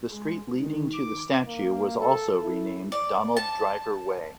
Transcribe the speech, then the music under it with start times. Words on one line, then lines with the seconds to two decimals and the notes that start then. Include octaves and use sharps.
The street leading to the statue was also renamed Donald Driver Way.
0.12 G#3
0.60 D#3
0.93 D6
1.47 A#3
1.99 A4
2.43 E4
2.92 D5
3.37 A5